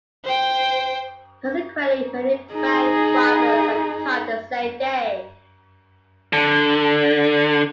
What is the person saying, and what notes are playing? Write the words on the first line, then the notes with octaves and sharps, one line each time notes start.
Consequently, many bank robbers are caught the same day.
C5 G5
D#4 G#4
D3